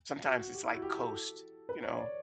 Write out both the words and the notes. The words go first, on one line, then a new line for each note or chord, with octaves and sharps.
Sometimes it's like coast, you know,
F#4
F#4
G4
E4
F#4
G4
A4
B4
C#5
D5